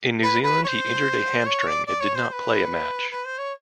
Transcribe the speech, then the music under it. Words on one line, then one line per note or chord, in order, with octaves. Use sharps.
In New Zealand he injured a hamstring and did not play a match.
B4
B4
C#5
C5
C#5
D5
D5
C#5
C5
C5
B4
B4
C5
C#5